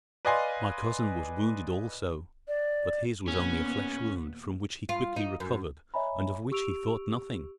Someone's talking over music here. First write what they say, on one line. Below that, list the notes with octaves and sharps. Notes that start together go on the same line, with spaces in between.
My cousin was wounded also, but his was only a flesh wound from which he quickly recovered and of which he thought nothing.
B4 D5 D#5 F5 G#5 C6
D5
D#2 A#2 B3 C#4
F4
D#4
F#2
C#5 D#5 E5 G#5 A#5 B5
G4 C#6 E6 D7 F7